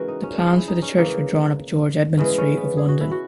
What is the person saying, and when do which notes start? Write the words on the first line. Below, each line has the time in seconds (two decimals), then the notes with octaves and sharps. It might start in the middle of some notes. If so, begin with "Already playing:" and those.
The plans for the church were drawn up George Edmund Street of London.
Already playing: C#3 E3 G#3 F#4 A#4
0.08 D#4
0.23 C#4
0.38 G#4
0.53 E4
0.68 D#4
0.82 C#4
0.97 C#3 E3 G#3 A#3
2.17 C#3 E3 G#3 B3
2.30 B3
2.38 C#4
2.57 B3
2.77 G#4
2.88 F#4
3.01 E4
3.11 F#4